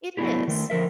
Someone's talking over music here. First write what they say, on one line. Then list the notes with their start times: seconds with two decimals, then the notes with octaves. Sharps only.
It is.
0.17 F#3 A3 B3 D4 E4 G4
0.48 D#3 A3
0.70 D3 F3 A#4 E5